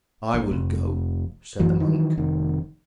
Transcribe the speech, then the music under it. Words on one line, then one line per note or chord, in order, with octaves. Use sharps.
"I will go," said the monk.
A#1
F1
A1 F#2 E3 F#3
D#3 E3 F#3
F1 D#3